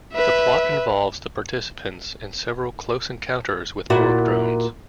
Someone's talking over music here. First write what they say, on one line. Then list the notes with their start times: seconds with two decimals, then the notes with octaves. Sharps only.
The plot involves the participants in several close encounters with Borg drones.
0.14 B4 E5
3.90 A#2 E4 F#4